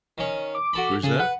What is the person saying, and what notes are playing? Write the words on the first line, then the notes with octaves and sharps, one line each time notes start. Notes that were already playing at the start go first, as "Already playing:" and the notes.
Who's that?
D#3 C#4
D6
F#4 A4 B5
C#3 G#4 A4
B4 F#5